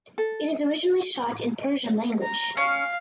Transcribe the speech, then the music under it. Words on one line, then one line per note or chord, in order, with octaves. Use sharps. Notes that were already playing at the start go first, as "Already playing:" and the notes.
It is originally shot in Persian language.
A4
A#5
C#4 F5